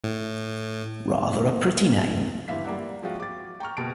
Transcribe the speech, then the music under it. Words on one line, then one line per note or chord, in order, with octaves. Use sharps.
Rather a pretty name.
A2
D#2
G1 E3 E5 F5 B6
G3 A#3 D5 E5 F#5
F3 G#3 C4 F4 F#4
D6 A6
G5 A#5 C#6 F6
F#1 B2 A5 D7